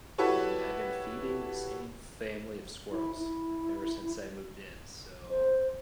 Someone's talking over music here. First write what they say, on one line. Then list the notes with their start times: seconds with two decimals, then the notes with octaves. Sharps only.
And I've been feeding the same family of squirrels ever since I moved in. So
0.18 E4 F#4 G4 A4 B4 C#5
2.91 E4
3.19 E4
5.29 C5